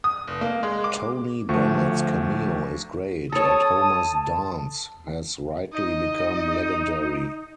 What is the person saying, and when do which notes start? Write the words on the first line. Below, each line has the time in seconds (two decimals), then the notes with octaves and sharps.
Tony Bennett's cameo is great, and Homer's dance has rightly become legendary.
0.04 D#6
0.28 F1
0.41 A#3
0.63 G#3
0.84 D6
1.49 D2 F3 A3 C#6
3.32 A4 C#5 A5 D#6
5.73 D#4 D#5